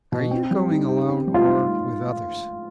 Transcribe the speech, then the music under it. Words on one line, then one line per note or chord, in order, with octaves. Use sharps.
"Are you going alone or with others?"
B2
C4
G3
D#4
G4
C4
G3
F4
D#4